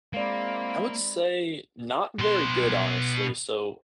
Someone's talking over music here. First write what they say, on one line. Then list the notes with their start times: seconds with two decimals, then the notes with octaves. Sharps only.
I would say, not very good, honestly, so,
0.13 G#3 A#3 C4 E4 D5 F5
2.19 B2 C6